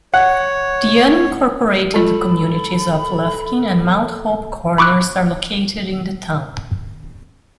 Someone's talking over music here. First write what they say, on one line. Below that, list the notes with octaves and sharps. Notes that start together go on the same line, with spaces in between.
The unincorporated communities of Lufkin and Mount Hope Corners are located in the town.
C#5 F#5
G#3 F4 A4 B5
B5 C#6 D6 E6 F#6